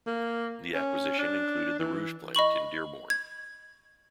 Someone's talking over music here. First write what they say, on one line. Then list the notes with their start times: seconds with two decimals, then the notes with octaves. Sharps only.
The acquisition included the Rouge Plant in Dearborn.
0.07 A#3
0.74 C#4
1.18 D4
1.79 E3
2.35 D#5 B5 C#6 F#7
3.10 G#6